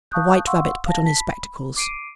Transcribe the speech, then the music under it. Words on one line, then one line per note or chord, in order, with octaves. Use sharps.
The White Rabbit put on his spectacles.
F5 A5 C#6 D#6 F#6 G6
F5 F#5 C6 C#6 E6
F5 A5 A#6
A5 B6
B5
D6 C7 D7 D#7